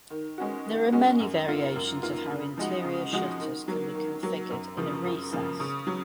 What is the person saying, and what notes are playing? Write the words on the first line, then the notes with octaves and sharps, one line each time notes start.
There are many variations of how interior shutters can be configured in a recess.
D#3
G#3 C#4 F#4
D#3
G#3 C#4 F#4
F#2
D#3 A#3 F4
F#2
D#3 A#3 F4
C#3
F3 G#3 D#4 F#4
C#3
F3 G#3 D#4 F#4
D#3
F#3 A#3
D#3
F#3 A#3
F#2
C#3 F3 A#3
F#2
C#3 F3 A#3
C#3
F#3